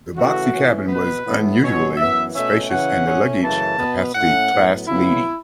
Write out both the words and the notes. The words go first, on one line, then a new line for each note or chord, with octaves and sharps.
The boxy cabin was unusually spacious and the luggage capacity class leading.
C#3 E3 A3 F#4
A2 E3 C#4
B2 B3 B4
A2 E3 B3
B2 F#3 C#4 C#5
F#2 E3 B3 E5
B2 A3 C#4 E5
C#3 E3 C#4 F#5
A2 A3 C#4
F#2 C#3 E3 A3 A5
B2 B3
A2 A3 C#4 F#5
A2 F#3 B3
C#3 F#3 B3 E4